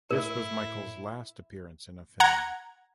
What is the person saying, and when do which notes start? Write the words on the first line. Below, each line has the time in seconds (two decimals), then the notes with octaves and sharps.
This was Michael's last appearance in a film.
0.11 A2 E4 A#4
2.20 F#5 A#5 G#6